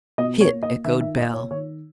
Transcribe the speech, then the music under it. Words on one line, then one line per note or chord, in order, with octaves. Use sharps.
"Hit!" echoed Bell.
B2 D#5
C#5
A#3
D#5
D#3 E5
E5
A#3 D#5
C#5
D#3 C#5